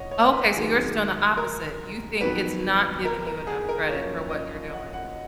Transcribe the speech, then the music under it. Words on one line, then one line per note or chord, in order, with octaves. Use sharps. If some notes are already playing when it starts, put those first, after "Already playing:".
Okay so, yours is doing the opposite, you think it's not giving you enough credit for what you're doing.
Already playing: C#3 F3 C#5 D#5 F#5
C#5
B4
D#2 D#3 F#3 G#4
A#4
F2 D#3 F#3 B3 B4
A#4
A#4
G#4
A#4
F#2 F3 A#3 C#5
D#5
F#5
F#5